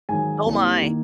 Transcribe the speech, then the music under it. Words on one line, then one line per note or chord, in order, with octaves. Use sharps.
Oh my.
G#2 D#3 F#3 G#5
C2 C3 F#3 A#3
D#3 A#3